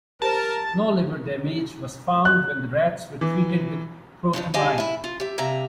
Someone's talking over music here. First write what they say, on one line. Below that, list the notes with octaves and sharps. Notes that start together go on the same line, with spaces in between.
No liver damage was found when the rats were treated with protamine.
G4 A#4 C5 A5
F#6
E3
G2 D3 D#3 F3
G4 G#4 D#5 F5 G#5 A5
E4 E5
F4
G4 E5
G2 C3 A#3 E5 A#5